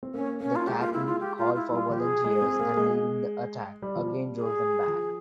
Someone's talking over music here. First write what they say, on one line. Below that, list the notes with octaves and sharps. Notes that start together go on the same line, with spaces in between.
The captain called for volunteers, and leading the attack, again drove them back.
C4
A#3 C#4
A#3 C#4
F4
G#3 G4
A#3 F4
G#3 E4
F4
G4
F4
E4
G3 F4
F3 G4
G#4
G#3
C4
A#3
G#3
G3
F3
G3
G#4
F3